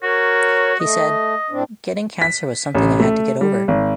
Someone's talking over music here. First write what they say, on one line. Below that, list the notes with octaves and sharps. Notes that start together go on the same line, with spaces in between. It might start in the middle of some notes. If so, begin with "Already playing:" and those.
He said: Getting cancer was something I had to get over.
F#4 A#4 C#5
A3 D#5
A2 C4 D4
B6
A1
A3
G3
G#1